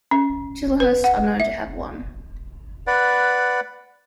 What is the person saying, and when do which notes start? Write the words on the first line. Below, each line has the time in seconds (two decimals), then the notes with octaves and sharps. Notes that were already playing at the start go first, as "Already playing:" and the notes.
Chislehurst are known to have won.
0.11 C#4
0.80 B4
1.04 F#5
1.40 E5
2.87 B4 D5 F#5